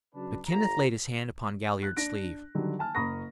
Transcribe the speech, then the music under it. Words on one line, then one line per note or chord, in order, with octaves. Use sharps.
But Kenneth laid his hand upon Galliard's sleeve.
C#3 F#3 D4 B4
G1 A#5
F#6
D4 A#6 D7
D3 D#3 F#3 G3
G#5 A5 F6
F#1 A#5 B5 C#6 D#6 A#6